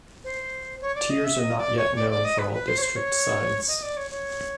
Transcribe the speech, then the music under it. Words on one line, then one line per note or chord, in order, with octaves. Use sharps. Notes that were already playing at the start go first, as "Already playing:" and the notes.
Tiers are not yet known for all district sides.
C5
C#5
D5
D#5
E5
D#5
D5
C#5
D5
D5
D#5
B4
B4
C5
C#5
C5
C#5
D#5
D5
C#5
C#5